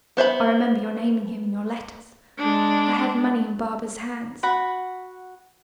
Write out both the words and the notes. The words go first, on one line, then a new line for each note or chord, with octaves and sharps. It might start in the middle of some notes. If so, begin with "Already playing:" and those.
I remember your naming him in your letters. I have money in Barbour's hands.
B3 C5 E5 B5
G#3 D4
F#4 F#5 B5